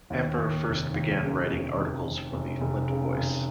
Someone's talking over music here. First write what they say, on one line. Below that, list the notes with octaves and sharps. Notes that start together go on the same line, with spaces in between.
Hamper first began writing articles for the "Flint Voice".
D#2
D#2
F1
D#2
C#3
F1
F1
F1
F1
F1
C#3
F1